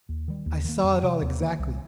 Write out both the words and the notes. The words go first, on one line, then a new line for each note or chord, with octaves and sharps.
I saw it all exactly.
D#2
D#3 G3
D#2
D#3 A#3
F2
C3 G3
D#2
D#3 A#3
C2